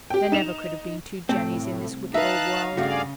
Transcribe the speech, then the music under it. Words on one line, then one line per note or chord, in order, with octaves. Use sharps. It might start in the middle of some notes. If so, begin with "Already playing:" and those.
There never could have been two Jennies in this wicked old world.
G4 G5
D#4 E7 F7
C2 A2 A3 C4
D#4 B4 E5 F5 A5 F#6
G2 C#3 A3 F#4 G#4 D5 F5